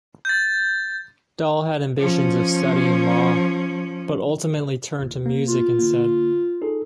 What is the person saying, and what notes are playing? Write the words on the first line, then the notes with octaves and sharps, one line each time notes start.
Dall had ambitions of studying law, but ultimately turned to music instead.
G6 A6
F3 C#4
G1 D#2
A#3
F4
D3 A#3
D#4 G#4 A4